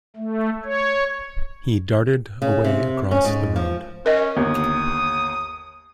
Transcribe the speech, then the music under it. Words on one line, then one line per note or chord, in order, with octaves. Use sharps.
He darted away across the road.
A3
C#5
C#3
C3
C#4
G#2
F3
C#4 A#4 D#5
G1 D#2 D#6